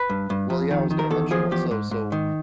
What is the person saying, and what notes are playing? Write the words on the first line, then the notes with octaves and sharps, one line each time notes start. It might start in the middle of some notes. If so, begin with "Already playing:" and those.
well, yeah, I was gonna mention also. So,
Already playing: B4
G2
G2
F2
D#3
D#3
A#4
E2 A4
F3 G#4
E2 G4
G#2
G#2
D#3